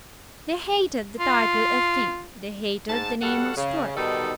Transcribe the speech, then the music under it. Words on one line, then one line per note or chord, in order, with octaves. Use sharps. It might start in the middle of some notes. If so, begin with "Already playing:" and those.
They hated the title of King. They hated the name of Stuart.
F4
G#2 A5
G3 F#4 A4 F5 F#5
C#3
B2 D#3 G3 D#4 A4